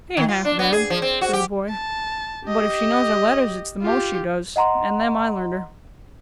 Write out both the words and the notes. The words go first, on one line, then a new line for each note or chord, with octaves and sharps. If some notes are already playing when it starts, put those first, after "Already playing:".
'She ain't half bad,' said the boy; 'but if she knows her letters it's the most she does--and them I learned her.'
D#3
F4
D4
B3
G#4
F3
C4
F#4
G4
A5
G4 D#5
F4 G4
D#5 F#5 A#5 C6